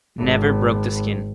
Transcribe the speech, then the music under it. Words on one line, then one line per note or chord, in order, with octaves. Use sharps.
Never broke the skin.
G#1